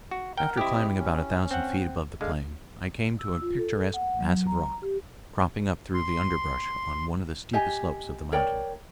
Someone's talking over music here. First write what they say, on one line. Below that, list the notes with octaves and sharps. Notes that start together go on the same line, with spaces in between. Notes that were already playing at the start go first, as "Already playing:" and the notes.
After climbing about a thousand feet above the plain I came to a picturesque mass of rock, cropping up through the underbrush on one of the steepest slopes of the mountain.
F#4
A#4 F#5 G5 A#5
C4 E4 G4 D#5
C#4
C4 F#5
D3 G#3 F5
E6
F4
A4
F#5
F#3
A#5
G4
C6
G4 D#5 G#5
A#4 C#5 D5 G5